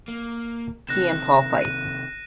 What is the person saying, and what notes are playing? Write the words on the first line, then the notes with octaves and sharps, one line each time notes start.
He and Paul fight.
A#3
C3 D#3 F#6 A#6 E7
D#7